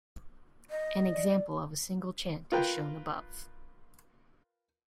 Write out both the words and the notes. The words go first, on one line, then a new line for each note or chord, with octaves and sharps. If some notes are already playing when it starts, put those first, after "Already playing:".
An example of a single chant is shown above.
D#5
D5
F4 A#4 B4 G5